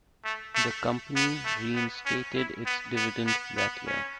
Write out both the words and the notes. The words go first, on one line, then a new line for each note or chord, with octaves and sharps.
The company reinstated its dividend that year.
A3
A3
B3
A3
B3
C#4
E4
B3
B3
B3
B3
C#4